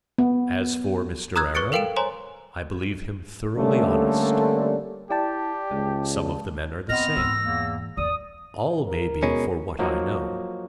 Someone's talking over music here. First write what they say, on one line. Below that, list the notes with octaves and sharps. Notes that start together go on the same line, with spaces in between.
As for Mr. Arrow, I believe him thoroughly honest; some of the men are the same; all may be for what I know.
B3
A#5 D#6 E6 F#6 G#6
B4 C#6 F#6 A6 C#7 D7
A4 A#4 F5 G5 D7 E7
C5 C#5 G#5 A#5 C6
D3 G3 A3 A#3 C#4 D4
E4 G4 D5 G5 A5
C#2 G#3
A#2 B3 C4 D#5 F6 A#6
G#2 E3 E6
E2 A#3
E2 D5 D#6
A#4
B2 G#3 C#4
F3 F#3 A#3 D#4 F#4